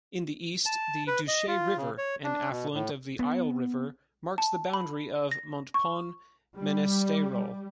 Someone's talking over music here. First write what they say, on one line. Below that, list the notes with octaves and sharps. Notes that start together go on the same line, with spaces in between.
In the East, the Duche River, an affluent of the Isle River, marks the boundary of Montpon-Ménestérol.
A5
B4
D#5
F4
C#3
C#5
D4
B2
A2
B3
A5
B5
A#6
C#6
G3